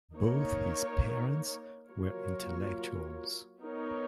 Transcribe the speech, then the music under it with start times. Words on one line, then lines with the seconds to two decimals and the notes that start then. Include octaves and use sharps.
Both his parents were intellectuals.
0.14 A#3 D#4 A#4 C#5
1.88 F#3 A#3 F4 A#4 C#5
3.60 B3 D#4 A#4 C#5